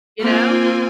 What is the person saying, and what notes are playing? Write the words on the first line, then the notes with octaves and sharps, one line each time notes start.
You know?
A#3 C4 F4 G#5